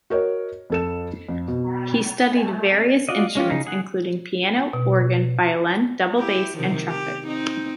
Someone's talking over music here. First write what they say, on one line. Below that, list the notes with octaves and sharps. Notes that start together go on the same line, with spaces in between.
He studied various instruments including piano, organ, violin, double bass, and trumpet.
F#4 A#4 C#5 D#5
F2 A4 E7
F2
B2
F4 F#4 D5 D#5
G#3 C#4 F4 G4
C#3 D#4
G#4 F#5
B2
E4 G4
C3 D#3 F3
G4
C4 D#4